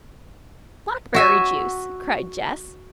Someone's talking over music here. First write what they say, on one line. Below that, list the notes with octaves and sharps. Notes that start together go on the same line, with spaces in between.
"Blackberry juice!" cried Jess.
F#4 E5 G#5